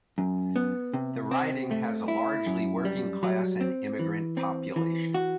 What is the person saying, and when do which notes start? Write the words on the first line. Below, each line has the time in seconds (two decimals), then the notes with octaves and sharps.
The riding has a largely working class and immigrant population.
0.18 F#2
0.56 B3
0.94 C3
1.31 C4
1.71 A3
2.08 E4
2.46 F#2
2.85 G3
3.23 F#3
3.61 C4
3.99 E3
4.37 C4
4.76 E3
5.15 F#4